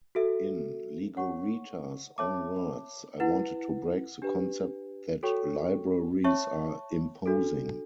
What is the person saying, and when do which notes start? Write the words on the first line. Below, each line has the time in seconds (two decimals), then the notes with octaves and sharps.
In Legorreta's own words: I wanted to break the concept that libraries are imposing.
0.15 F#4 A4 E5
1.17 C#5 F#5 C#6
2.18 C#5 E5 A5 D6
3.20 E4 B4 F#5
4.22 D4 G4 B4
5.23 F#4 A4 C#5 G5 C#6
6.24 C#5 E5 A5 C#6
7.26 D4 F#4 A4